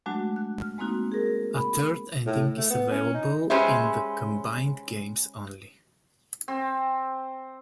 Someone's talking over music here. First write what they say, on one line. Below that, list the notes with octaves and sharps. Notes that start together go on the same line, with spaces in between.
A third ending is available in the combined games only.
F#3 G#3 A3 D4 F#4
F#6
F6
G#3 A#3 C4 D#4 F#4
G#4 A#4
B5
A2
A3
B3
C#4
D#4
G#3 C#4 G4 B4 C5 E5
C4